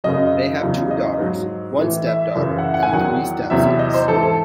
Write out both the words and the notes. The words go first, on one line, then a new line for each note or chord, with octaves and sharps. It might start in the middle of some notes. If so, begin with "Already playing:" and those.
They have two daughters, one stepdaughter, and three stepsons.
F#2 C#3 F#3 D#5
E2 C#3 F#3
D#5
G#2 F#3
A2
E3
E5
F#2 C#3 E3
F#5
E5
F#5
G#5
E2 D#3 F#3 F#5
E2 C3 F#3 E5
D#5
C5
G#2 E3 A4
A4